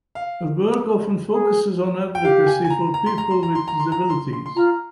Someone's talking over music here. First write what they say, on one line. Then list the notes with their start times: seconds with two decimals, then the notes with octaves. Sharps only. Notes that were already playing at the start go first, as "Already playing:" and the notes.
Her work often focuses on advocacy for people with disabilities.
0.15 F5
1.32 G#4
2.15 G5
2.23 G4 F5
2.47 G#5
2.65 G#5
2.70 A#5
2.94 A#5
3.06 C6
3.18 A#5
3.31 C6
3.43 A#5
3.55 C6
3.68 A#5
3.80 C6
3.92 A#5
4.10 C6
4.33 C6
4.46 C6
4.56 F4 A#5